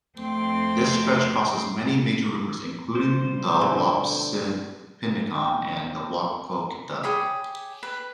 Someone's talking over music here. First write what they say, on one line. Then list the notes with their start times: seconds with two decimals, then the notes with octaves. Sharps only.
This stretch crosses many major rivers including both the Wapsipinicon and the Maquoketa.
0.18 F2 A3 C4 G5 C6 D6
2.95 F3 G3 C5
3.61 B2 D3 A3 C4
5.35 G5
7.03 G4 G#4 C#5 B5
7.83 B4